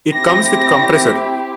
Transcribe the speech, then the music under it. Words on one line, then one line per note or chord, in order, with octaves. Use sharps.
It comes with Compressor.
C4 E4 G4 A#6